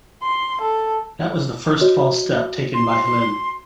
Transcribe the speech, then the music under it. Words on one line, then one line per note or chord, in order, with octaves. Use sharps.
That was the first false step taken by Helene.
C6
A4
F#4 C#5 D#5
C6